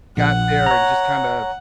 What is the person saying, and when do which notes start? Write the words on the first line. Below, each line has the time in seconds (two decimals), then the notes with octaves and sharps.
got there and just kinda
0.17 A#1 F#5
0.66 C#5 A#5